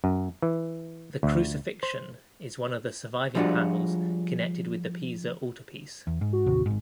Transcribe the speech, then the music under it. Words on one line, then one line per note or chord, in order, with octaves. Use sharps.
The "Crucifixion" is one of the surviving panels connected with the Pisa Altarpiece.
F#2
E3
D2
C5
F3 G3 G#3 D4 F4 F#4
E2
G#2
F#4
A1 D#2 C3
G#1 G#2